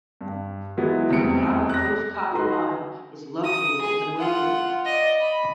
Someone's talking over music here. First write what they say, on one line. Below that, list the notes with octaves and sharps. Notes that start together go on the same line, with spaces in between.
A now closed copper mine is located in the wilderness.
G2
E3 F#3 G#3 B3 E4 F#4
F1 E2 G3 C4 C#7 D7
F#6 A#6
D#4 F#4 B4 C6
D#6
G#4
F4 F#5
D5 D#5
B5